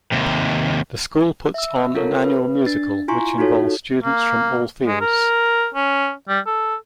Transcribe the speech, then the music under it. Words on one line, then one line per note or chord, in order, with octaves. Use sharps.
The school puts on an annual musical which involves students from all fields.
D#2 C3
E5 E6
C4 F4 A4 A#4 C#5
B4
D4 A6
E4 F4 G#5 A#5 C6 C#6
D#4 F4 F#4 A4 C#5
A#3
G#3
A#4
C#4
G3
A4